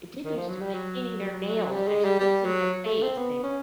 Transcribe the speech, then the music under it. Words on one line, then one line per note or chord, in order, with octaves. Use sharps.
it didn't used to painting their nails, they're spritzing their face, they
D#3
F3
F#3
G3
F#3
G3
G#3
G3
G3
F#3
A3
C4
B3
C#4